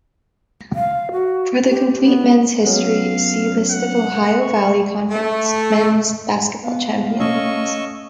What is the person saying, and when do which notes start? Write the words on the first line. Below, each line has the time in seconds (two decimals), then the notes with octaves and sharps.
For the complete men's history, see List of Ohio Valley Conference men's basketball champions.
0.75 F5
1.12 F#4
1.65 G4
2.02 B3
2.66 F#3 B3 C#4 F5
3.71 F#5
4.41 C#6
5.11 A3
6.63 B3 F5
7.20 A3 C#4 D#5 C#6 E6